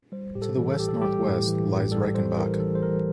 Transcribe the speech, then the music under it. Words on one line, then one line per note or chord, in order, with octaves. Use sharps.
To the west-northwest lies Reichenbach.
G3 C5
A2 G4
A4
E3
A4
A1 G4
A4
G3 G4
A2
E3
A1
G3 A4
A2 C5
E3 A#4
A1 A4
C5
G3 A#4